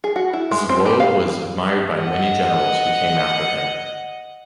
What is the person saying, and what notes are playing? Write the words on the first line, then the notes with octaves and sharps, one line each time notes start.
Zuo was admired by many generals who came after him.
G#4
F#4
E4
G#3
C4
G4
F5
D#5 F#5